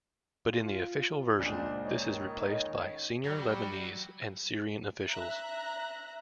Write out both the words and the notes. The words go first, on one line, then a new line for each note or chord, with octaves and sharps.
But in the official version, this is replaced by "senior Lebanese and Syrian officials".
F4
C#2 A#2 C#3 D4 C5
D#4 C#5
D#3
F#3 G3
E5 A#5 F#6